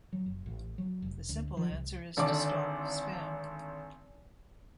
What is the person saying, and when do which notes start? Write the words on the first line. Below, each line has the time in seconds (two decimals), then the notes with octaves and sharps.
The simple answer is to stop spam.
0.13 F#3
0.26 F#1
0.46 A1
0.78 F#3
1.02 F1
1.29 D2
1.57 F3
1.70 C2
2.17 G#1 D3 D5 D6